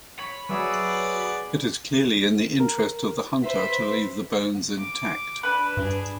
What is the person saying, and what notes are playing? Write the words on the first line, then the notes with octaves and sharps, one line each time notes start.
It is clearly in the interest of the hunter to leave the bones intact.
C#5 B5
F#3 B3 G#4 B4 C#5 D5 E5
A#4
B4 C5 E5 B6
D6
D4 B4 B5
G2 D4 G#4